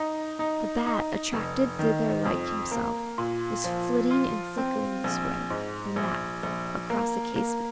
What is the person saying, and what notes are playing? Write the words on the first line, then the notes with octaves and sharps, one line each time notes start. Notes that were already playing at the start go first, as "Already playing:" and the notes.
A bat, attracted thither like himself, was flitting and flickering, this way and that, across the casement.
Already playing: D#4
D#4
D#4
F1
D#3
F2
A#3
A#2
F3
F4
C4
A#1
G#2
A#1
A#1
A#3
A#3